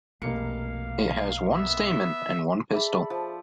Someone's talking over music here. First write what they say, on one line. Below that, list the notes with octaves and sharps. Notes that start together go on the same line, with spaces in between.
It has one stamen and one pistil.
F1 B1 A#3 F5 C#7
B3 E5
G#4 A4 D5 E5 B5
F3